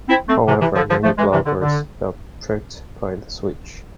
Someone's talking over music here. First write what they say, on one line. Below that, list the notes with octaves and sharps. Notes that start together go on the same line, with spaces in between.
However, many bloggers felt tricked by the switch.
C4 E4
A3 C4
C3 E3
C3 E3
D3 F3
D3 F3
F3 A3
E3 G#3
C3 E3
D3
D3